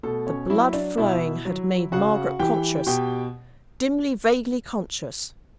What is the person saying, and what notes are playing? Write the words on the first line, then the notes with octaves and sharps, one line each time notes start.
The blood-flowing had made Margaret conscious--dimly, vaguely conscious.
B2 A3 A4
C#4 C#5
F#3 E4 E5
D4 D5
B2 E4 E5
F#3
C#3 F#4 F#5
E3 G4 G5
B2 G4 G5